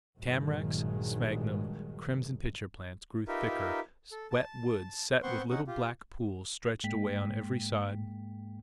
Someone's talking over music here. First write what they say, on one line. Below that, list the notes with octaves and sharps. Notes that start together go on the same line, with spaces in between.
Tamaracks, sphagnum, crimson pitcher-plants grew thicker; wet woods set with little black pools stretched away on every side.
A#1 G2 D#3 F#3 G#3
D#4 F4 G4 A#4 B4 E5
A4
A5
B3 C4 C5 F#5 C6 C#6
C#4 D#4 F#5
F4 G4
G#2 G#3 A#3 G5 B6